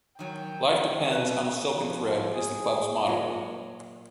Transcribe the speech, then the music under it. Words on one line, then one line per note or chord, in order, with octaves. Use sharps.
"Life depends on a silken thread" is the club's motto.
D#3 F#3 G5 G#5
B2 B4
F3
G#4
A#2 F#3